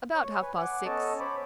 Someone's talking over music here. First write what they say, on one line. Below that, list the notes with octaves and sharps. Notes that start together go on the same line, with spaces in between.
"About half-past six."
C#5
B4 G#5
F#5 G#5 D6
B3 C#4 A4 C#5 D#5 A5
C5 C#5 B5 D6